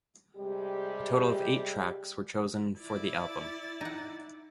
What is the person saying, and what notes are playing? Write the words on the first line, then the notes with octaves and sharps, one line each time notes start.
A total of eight tracks were chosen for the album.
C3 G3 G#3 G4
E4 D5 A6
D#4 F#5